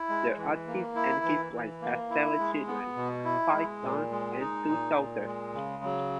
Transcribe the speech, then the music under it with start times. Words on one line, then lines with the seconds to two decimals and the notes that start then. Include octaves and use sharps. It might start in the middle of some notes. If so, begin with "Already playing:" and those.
The artist and his wife had seven children; five sons and two daughters.
Already playing: E4
0.09 G#3
0.38 E3
0.67 A#3
0.95 E4
1.24 E3
1.53 E3
1.82 A#3
2.10 E4
2.39 G#3
2.67 B3
2.96 B2
3.25 E4
3.54 G#3
3.82 A#2
4.11 G#3
4.40 D#4
4.69 A#2
4.97 A#2
5.26 G#3
5.54 C#3
5.83 F#3